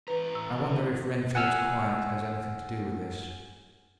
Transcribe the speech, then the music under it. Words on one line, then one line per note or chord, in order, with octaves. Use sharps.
I wonder if Renfield's quiet has anything to do with this.
E3 B4 A#5
A2 E6
F#5 G#5 E6 F6